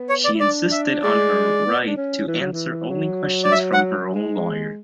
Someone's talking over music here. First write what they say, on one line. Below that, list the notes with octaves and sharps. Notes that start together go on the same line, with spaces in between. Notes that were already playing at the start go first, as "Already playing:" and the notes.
She insisted on her right to answer only questions from her own lawyer.
Already playing: B3
C#5
D5
E4
D4 D5
E5
G#3 D5
B3
D4
C#4
E3
F#3
E3
F#3
D5
E5
F#5
G#3